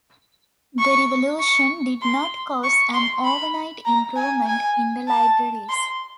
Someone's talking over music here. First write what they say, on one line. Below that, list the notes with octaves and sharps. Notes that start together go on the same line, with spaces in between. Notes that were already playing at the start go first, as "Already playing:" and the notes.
The revolution did not cause an overnight improvement in the libraries.
C#6
C#6
C6
C#6
C6
B5
A#5
G#5
G#5
A5
C6